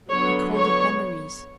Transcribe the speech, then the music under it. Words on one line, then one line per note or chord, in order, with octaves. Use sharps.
He called up memories.
D3 F#3 B3 C#5
C#5